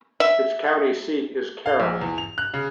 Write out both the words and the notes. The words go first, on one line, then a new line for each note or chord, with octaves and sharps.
Its county seat is Carroll.
E5
F5
A#1
E2
F7
F#6
C#3